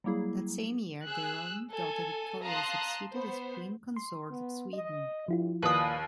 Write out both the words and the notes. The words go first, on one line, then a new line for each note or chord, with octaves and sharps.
That same year, their only daughter Victoria succeeded as Queen consort of Sweden.
F#3 G3 A#3 E4 G#4
G#4 E6 F#6
A4 G#5
F5 A5 A#5 C6 D#6 F#6
B3 C5
C6
B3
D#5
G2 F3 E4 F4
D#2 A#2 B4 D#6